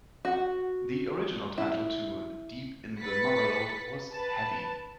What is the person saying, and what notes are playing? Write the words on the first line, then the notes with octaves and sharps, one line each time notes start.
The original title to "Deep in the Motherlode" was "Heavy".
F#4
E4
B4 A6 B6 C#7
B4 A5